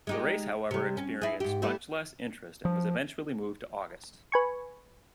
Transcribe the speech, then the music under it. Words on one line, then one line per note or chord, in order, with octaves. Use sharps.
The race, however, experienced much less interest, and was eventually moved to August.
G#3 D#4 G4
C3 G3
C#4
E4 G#4
G#2 G4
G3 A3 E4
F3
B4 G#5 C#6